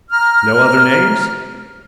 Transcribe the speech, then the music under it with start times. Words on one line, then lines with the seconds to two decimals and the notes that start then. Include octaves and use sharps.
"No other names?"
0.10 A#5 F6